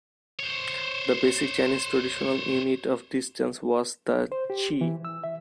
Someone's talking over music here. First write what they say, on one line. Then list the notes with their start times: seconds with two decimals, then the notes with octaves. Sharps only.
The basic Chinese traditional unit of distance was the "chi".
0.39 C5 C#5
4.32 C5
4.50 G4
4.81 E3
5.05 E6
5.24 E5